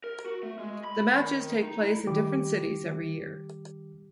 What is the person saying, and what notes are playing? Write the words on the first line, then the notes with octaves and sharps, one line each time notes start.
The matches take place in different cities every year.
A#4
F#4
A3
G#3
B5
D#3
D#4
E4
D#3 G3 G4 D6